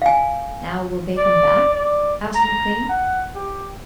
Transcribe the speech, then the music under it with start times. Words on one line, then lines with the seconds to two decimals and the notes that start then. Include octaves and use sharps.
"Now, will they come back?" asked McLean.
0.02 F5 G#5
1.17 D5
1.74 D5
2.35 A#5
2.89 F#5
3.35 G4